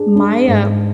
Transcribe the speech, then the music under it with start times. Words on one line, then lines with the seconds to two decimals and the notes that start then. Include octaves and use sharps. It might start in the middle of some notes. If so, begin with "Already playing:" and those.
My, uh
Already playing: D4 G#4
0.15 D4
0.48 G#2